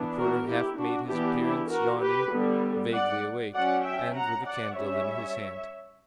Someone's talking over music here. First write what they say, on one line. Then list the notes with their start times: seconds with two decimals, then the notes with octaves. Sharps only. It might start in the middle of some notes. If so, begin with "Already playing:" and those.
The porter half made his appearance yawning, vaguely awake, and with a candle in his hand.
Already playing: E3 B3 D4
0.16 F#4 A#4
0.47 E4 G4
0.78 D4 F#4
1.08 E3 B3 D4 E4 G4
1.39 E4 G4
1.69 F#4 A#4
2.01 G4 B4
2.31 D3 G3 B3
2.92 D5 F#5
3.53 F#3 C#4 D5 F#5
3.84 E5 G5
4.15 F#5 A#5
4.45 D5 F#5
4.76 G3 C#4 C#5 E5